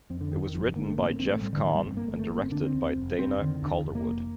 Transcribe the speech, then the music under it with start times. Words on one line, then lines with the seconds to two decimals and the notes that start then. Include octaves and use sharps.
It was written by Jeff Kahn, and directed by Dana Calderwood.
0.10 F2 C4
0.21 D3
0.31 G1 D#3
0.43 D#3
0.54 G1 F3
0.65 F3
0.75 D3 A#3
0.87 A3
0.97 A2 A#3
1.09 C4
1.20 A1 C4
1.31 A3
1.42 A2 G3
1.53 D3
1.64 A1 D#3
1.75 G3
1.86 G2 C4
1.97 A#3
2.07 G1 A3
2.19 A3
2.30 G1 A#3
2.41 C4
2.52 D3 D4
2.63 C4
2.74 D#2
2.96 F1
3.18 F1 C4
3.40 D3 D#3
3.62 D#2 D3
3.73 D#3
3.84 F1
3.95 A#3
4.06 F1